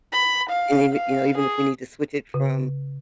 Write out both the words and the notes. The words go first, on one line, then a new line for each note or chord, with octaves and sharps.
And even you know, even if we need to switch it from,
B5
F5
F5
G#4
C#3